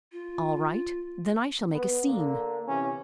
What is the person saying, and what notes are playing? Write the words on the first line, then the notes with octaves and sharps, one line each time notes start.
"All right; then I shall make a scene."
F4
B3
D3 A#3
C3 E3 C#4